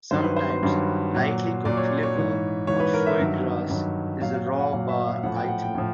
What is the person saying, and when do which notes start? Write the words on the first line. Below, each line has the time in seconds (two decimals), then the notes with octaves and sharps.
Sometimes lightly cooked liver or foie gras is a raw bar item.
0.11 G2 D#3 F#3 C5
0.24 B4
0.36 C5
0.50 C5
0.63 G2 D#3 F#3
1.14 A#2 F#3
1.65 A#2 F#3 D5
1.77 C#5
2.03 C#5
2.16 G#2 E3
2.67 G#2 E3 C#5
2.80 B4
2.94 A#4
3.06 E5
3.19 G2 D#3 F#3
3.69 G2 D#3 F#3
4.20 A#2 F#3 F5
4.33 F5
4.47 F5
4.59 F#5
4.72 A#2 F#3 F5
4.89 E5
5.07 F5
5.23 A2 F3 F#5
5.36 G5
5.48 F#5
5.62 G5
5.75 A2 F3